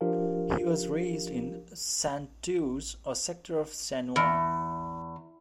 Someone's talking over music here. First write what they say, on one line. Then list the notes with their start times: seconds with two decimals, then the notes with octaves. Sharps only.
He was raised in Santurce, a sector of San Juan.
0.01 F3 D4 F4 G4 A#4 F5
4.16 E2